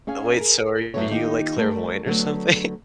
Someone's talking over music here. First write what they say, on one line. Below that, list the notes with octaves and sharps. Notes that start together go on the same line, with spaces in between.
Wait, so are you, like, clairvoyant or something?
C#4 G#4 F5 G#5
G#4 A#4
F#2 F3 F#3 A3 B3 C#5
D#3 A#3 D#4 F4 G4
G3 A3 A#4
D3 F#3 A3 B3